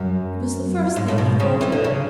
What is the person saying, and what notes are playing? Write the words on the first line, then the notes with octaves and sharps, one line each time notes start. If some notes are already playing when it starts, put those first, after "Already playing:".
It was the first thing he thought of.
Already playing: F#2
G#2
A2
B2
C#3
E3
D3
C#3